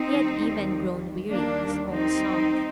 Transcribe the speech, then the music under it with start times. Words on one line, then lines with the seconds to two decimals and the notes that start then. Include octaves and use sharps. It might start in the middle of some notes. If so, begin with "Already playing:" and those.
He had even grown weary of his own songs.
Already playing: C4 D#4
0.10 D#2 D#3 G3
1.30 D#2 D#3 G3 A#3 D4
1.90 C4 D#4